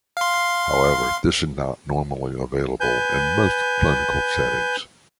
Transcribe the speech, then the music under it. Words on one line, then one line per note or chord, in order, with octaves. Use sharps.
However, this is not normally available in most clinical settings.
F5 C6
B4 G#5 G6